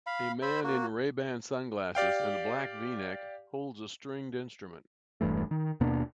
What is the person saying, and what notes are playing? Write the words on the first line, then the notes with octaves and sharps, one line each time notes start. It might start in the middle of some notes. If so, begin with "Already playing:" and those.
A man in RayBan sunglasses and a black vneck holds a stringed instrument.
F5 B5
C5 B5 E6
A#3 F#4
G4 D5 F5 G5
E1 G2 E3 A3
D#3
D#2 B2 A#3 D4